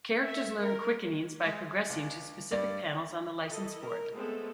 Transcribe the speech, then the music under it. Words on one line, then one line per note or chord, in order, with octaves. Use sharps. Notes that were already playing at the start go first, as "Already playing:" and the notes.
Characters learn Quickenings by progressing to specific panels on the License Board.
E5
A#4
G#3
C#2
G2 D5 D6
E4 A4 D#5
A#4
G#3 A3 B3 C4 G#4 A4